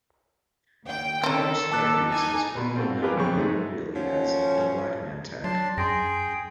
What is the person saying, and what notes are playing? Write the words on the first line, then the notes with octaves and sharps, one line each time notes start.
College Square East was formally known colloquially as the 'Black Man Tech'.
D#2 G5
D#3 C4 C#4 A4
D#3 A#3 A5 D6 F#6
D#4 G#5
B2
C4 F4 F#4 A4
F4 G4 G#4 A#4 B4
B1 F2 C#3 C4 C#6
G#3 A3 D#4
F3 F#3 A3 C#4
F#3 D4 A5 C6
F#2 G#4 G5 C6 A#6